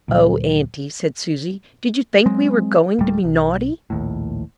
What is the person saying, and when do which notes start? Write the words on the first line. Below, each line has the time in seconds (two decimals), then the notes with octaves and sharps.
"O, auntie," said Susy, "did you think we were going to be naughty?"
0.08 D2 A#2 F#3
2.26 F#3 G#3 C4
2.99 D1 G3 A3
3.24 B1
3.90 A#1 D#2 A2